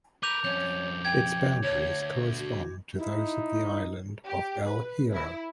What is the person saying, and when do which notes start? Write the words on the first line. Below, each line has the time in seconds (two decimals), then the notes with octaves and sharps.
Its boundaries correspond to those of the island of El Hierro.
0.23 A#4 B4 D6 G6 F7
0.44 F2 C#4 C#5 G6
1.05 G5 G#6
1.63 D2 C#5
2.38 F#4
2.99 D#4 E4
4.27 G4
4.63 B4
5.11 E4